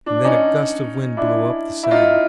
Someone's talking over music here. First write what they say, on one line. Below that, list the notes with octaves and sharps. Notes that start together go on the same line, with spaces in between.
And then a gust of wind blew up the sand.
D4
C#4 D#4
D4 E4
E4
D#4 F4